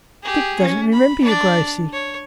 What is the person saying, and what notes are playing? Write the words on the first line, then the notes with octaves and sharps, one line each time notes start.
'Dick doesn't remember you, Gracey.
G4 G#4
C#4
B5
D4 D5
C#5